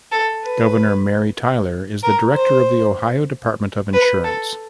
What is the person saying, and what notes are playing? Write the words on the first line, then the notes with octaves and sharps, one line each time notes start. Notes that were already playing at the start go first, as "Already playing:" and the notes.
Governor Mary Taylor is the director of the Ohio Department of Insurance.
A4
B4
A#4
C5
B4
A4